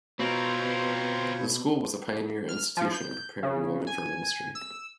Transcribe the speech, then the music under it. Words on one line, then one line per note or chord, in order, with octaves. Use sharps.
The school was a pioneer institution in preparing women for ministry.
B2 C4 F4 A#4 C5 C#5
F6
F3
G6
C#3
G#5
E6